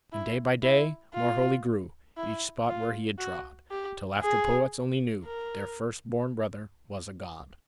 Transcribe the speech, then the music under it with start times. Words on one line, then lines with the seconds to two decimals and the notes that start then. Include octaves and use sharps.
"And day by day more holy grew Each spot where he had trod, Till after-poets only knew Their first-born brother was a god."
0.13 E4
0.63 E4
1.14 F4
2.17 E4
2.68 F4
3.19 F#4
3.71 G4
4.22 G#4
5.25 A#4